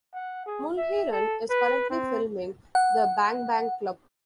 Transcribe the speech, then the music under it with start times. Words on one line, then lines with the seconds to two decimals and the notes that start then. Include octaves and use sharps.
Mulheron is currently filming "The Bang Bang Club".
0.14 F#5
0.46 G#4
0.77 E5
1.11 A4
1.49 B4
1.90 C4
2.75 F#5